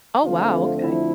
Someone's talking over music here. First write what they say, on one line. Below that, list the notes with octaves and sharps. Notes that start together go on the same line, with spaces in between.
Oh, wow, okay.
F2 D3 F3 A3 C4 F4
E4